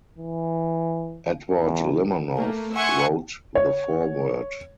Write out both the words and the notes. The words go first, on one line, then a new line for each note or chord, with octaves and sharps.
Edward Limonov wrote the foreword.
E3
E2
A3 A#3
E5 F#5 G#5 C6 C#6
C#5